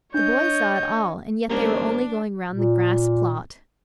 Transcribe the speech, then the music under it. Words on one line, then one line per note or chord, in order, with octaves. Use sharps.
The boy saw it all, and yet they were only going round the grass-plot.
D4 C#5 D#5 G6
G#1 G3 G#3 A#3 C#4 D4 C5
A#2